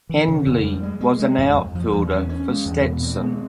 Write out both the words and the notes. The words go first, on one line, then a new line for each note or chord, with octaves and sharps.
Hendley was an outfielder for Stetson.
E3
C#3
F2
G3
G#3
G#3
G#3
F2
F2
F3
E2
C#4
C#4
G#3
E2
B2
C4
G#3